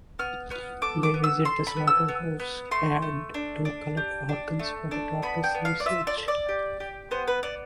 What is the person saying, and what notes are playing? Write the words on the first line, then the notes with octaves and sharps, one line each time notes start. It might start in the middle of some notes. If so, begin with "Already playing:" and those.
They visit the slaughterhouse yard to collect organs for the doctor's research.
B3 F6
B3 F6
A4 D6
D6
B3
E6
A4 C6
B5
B3
E6
B3
B3
A3 C6
A3
D4
D4
G4
D4
A3
D4
B3 B5
G5
B3
F5
D5
F4 E5
D5
A4
D5
G4
G4
B3 C5
B4
B3 D5